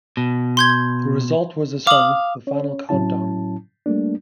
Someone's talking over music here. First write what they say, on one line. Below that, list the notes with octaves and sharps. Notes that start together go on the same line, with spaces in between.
The result was the song "The Final Countdown".
B2
C6 G6 G#6
F5 D6 D#6 F#7
C#4 C#5
A2 F#3 C#4 E4 A5
G3 A3 A#3 D4